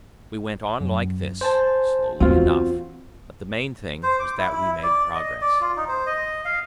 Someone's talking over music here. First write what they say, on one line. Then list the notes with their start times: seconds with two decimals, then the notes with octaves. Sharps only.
We went on like this, slowly enough, but the main thing was that we made progress.
0.81 F#2
1.41 C5 G#5 A5
2.20 E2 C4 F4 F#4
4.03 C5
4.20 D6
4.37 E4
4.53 E4
4.83 D5
5.15 D#5
5.41 D5
5.61 F4
5.77 D#4
5.88 C5
6.06 D#5
6.45 F5